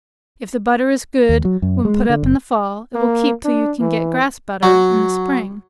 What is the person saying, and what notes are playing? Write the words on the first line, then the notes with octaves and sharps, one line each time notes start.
If the butter is good when put up in the fall, it will keep till you can get grass butter, in the spring.
D#2
F#3
F#2
G#3
D3
F#1
A#3
D4
E3
F#3